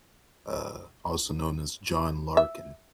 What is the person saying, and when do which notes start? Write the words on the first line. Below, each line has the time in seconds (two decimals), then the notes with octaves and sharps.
uh, also known as John Larkin.
2.37 E5